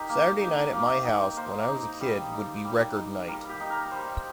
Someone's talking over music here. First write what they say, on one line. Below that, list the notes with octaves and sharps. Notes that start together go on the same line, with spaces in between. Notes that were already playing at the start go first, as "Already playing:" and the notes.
Saturday night at my house, when I was a kid, would be record night.
Already playing: D#4 G4 A#4
A#3
D#4
A#3
D#4
A#3 C5
D#4
G3
D#4
G3
D#4
G3 A#4
G4
D#4
A#4
G3 C5